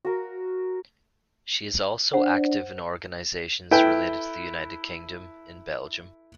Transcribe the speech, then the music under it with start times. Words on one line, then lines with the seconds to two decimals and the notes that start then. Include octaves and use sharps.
She is also active in organisations related to the United Kingdom in Belgium.
0.05 F#4 A#4
2.13 D4 C5 F#5
3.71 E4 A4 B4 G5